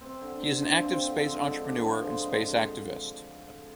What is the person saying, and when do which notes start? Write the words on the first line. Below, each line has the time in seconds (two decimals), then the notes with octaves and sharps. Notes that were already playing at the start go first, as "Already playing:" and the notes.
He is an active space entrepreneur and space activist.
0.01 C4
0.21 D3
0.42 D3
0.62 F3
0.83 C4
1.03 D3
1.23 G#3
1.44 D3
1.65 D4
1.85 F3
2.06 G#3
2.26 D3